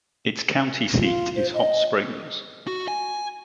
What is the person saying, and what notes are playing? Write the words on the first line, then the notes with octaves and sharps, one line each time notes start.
Its county seat is Hot Springs.
F4
C5
D#5
F#4
G#5